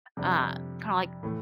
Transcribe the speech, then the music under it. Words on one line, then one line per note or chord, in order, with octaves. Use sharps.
Uh, kinda like
F2 C3 G3 D4
A2 E3 A3